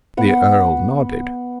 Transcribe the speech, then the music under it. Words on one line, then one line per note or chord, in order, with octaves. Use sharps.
The Earl nodded.
B3 F#5